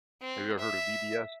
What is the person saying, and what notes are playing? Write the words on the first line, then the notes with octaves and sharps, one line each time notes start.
Have you ever heard of BBS?
C4
E5